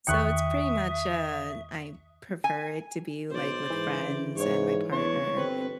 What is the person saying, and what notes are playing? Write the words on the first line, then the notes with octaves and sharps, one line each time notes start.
So, it's pretty much, uh, I prefer it to be, like, with friends and my partner,
E2 D#3 E5 G5 C#6 D#6 F#6 C#7
G#5
B1 C5 D5
G#2 E3
C#3
G#2 C#5
E2 D4 C#5
G1 C4 B4